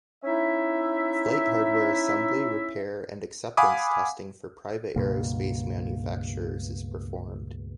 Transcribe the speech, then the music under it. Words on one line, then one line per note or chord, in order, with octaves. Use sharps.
Flight hardware assembly, repair, and acceptance testing for private aerospace manufacturers is performed.
C#4 D#4 E4 E5
F5 F#5 G#5 B5 D6 D#6
C#2 G2 B2 A#3